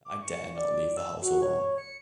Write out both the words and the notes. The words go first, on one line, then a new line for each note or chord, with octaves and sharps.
I dare not leave the house alone.
D6
C#6
D5
E6
F#4
C#5
C#7